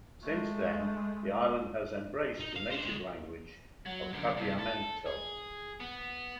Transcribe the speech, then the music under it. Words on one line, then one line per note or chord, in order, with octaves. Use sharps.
Since then, the island has embraced the native language of Papiamento.
G#3 A3
D#4
F5
D4 C5
D3 G#3
F#3
F#2 D3
G2 C3
A4
G#4
B3